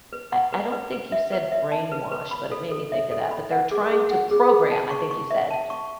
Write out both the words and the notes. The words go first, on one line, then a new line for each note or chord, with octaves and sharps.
I I don't think you said brainwash, but it made me think of that, but they're trying to program, I think you said,
B4
F#5
B4
B4
B4
E5
B4
E5
A5
B4
B4
B5
A4
A4
E5
A4
B5
F#5
G#4
G#4
F#5
G#4
G#4
A5
C#6
C#6
E5
A5
C#6